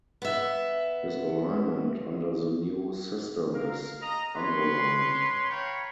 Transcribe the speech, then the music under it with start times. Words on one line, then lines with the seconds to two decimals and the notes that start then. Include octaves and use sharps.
His alignment under the new system is Unaligned.
0.22 B3 E5
3.54 A#4 F5
4.02 D#5 A#5
4.36 B4 C#5 C6
5.50 C#5 F5 G5 A#5 B5